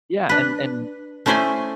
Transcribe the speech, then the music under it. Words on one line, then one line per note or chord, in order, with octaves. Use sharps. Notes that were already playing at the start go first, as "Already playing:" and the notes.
yeah, and and
D4 B4
A3 C#4 E4 C5 D5 G#5